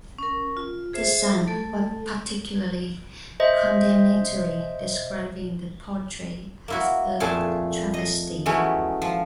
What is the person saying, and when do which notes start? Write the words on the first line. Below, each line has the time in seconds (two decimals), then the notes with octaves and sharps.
"The Sun" was particularly condemnatory, describing the portrait as "a travesty".
0.18 C#4 A#4
0.57 F4
0.93 G#4 C5 E5
1.48 A3 A4
3.40 C5 D#5 E5
6.68 A#3 E4 F#4
7.20 F2 A#2 A3 G#4 A5
7.94 D#5
8.46 E3 F#3 G#3 A3 B3 C#4
9.02 F3